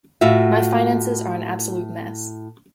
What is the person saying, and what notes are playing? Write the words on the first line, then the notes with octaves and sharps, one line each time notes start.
My finances are an absolute mess.
A2 F4 F#4 E5